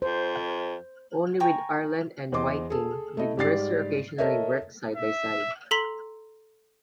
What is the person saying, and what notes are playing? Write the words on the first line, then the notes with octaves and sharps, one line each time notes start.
Only with Arlen and Whiting did Mercer occasionally work side-by-side.
F2 C5
G5 G#5 A#5 C#6
E2 C5 D#5 C6 D6
G#4 A4
A3 E4 D#5
G#2 G3 G4 D5 A6 C7
A4 A#4 C#5 D#5 E5
E5
A4 A#5 C6 B6 F#7 G7